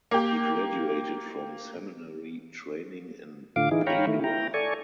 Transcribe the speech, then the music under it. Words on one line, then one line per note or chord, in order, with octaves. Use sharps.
He graduated from seminary training in Padua.
A#3 G4
A2 D3 F4 F5 D6
E3 D#4 E4 G#4
C#5 F5 G5 A#5 B5 C#6
D#3 A3 E4
E4 G5 A#5
A4 D5 G#5 C#6